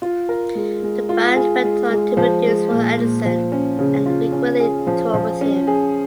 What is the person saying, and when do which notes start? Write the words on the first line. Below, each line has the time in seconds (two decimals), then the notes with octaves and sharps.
The band went on to produce for Anderson and frequently tour with him.
0.02 F4
0.29 A#4
0.55 G#3
0.83 G#3
1.09 F4
1.36 G#4
1.63 G#3
1.90 G#3
2.17 F3
2.45 G#3
2.71 A#2
2.98 A#2
3.25 F3
3.52 C#4
3.79 C#3
4.06 F4
4.32 C#4
4.60 G#4
4.87 F3
5.14 F3
5.41 C#4
5.67 G#4